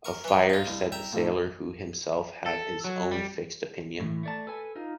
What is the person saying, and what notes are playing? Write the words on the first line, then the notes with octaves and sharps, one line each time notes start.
Of fire, said the sailor who himself had his own fixed opinion.
A#4 C#6
E3 C#5
D#4 F4 A6
C2
E5 G5 A#5
A2 F3 D#4
A4
F#3
G3
A2 E3
A3 D5 A5
A4 B4 G#5
D#4 F4